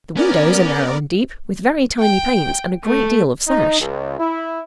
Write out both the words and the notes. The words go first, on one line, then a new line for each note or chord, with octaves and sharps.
The windows are narrow and deep, with very tiny panes and a great deal of sash.
B3 C#4 A#4 D5
G5
A3
D#4
C#2
E4